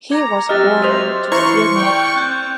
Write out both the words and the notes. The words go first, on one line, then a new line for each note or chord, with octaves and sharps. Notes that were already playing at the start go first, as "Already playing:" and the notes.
He was born to Syed Mohd.
A#5 D6 G#6 C#7
F#3 C4 G4 D#5 E5 F6 F#6 A6
C5 D#5 F6 F7
E3 E4 C5 A#5 C6 C#6
D5 G5
C4 C#6 F#6 G6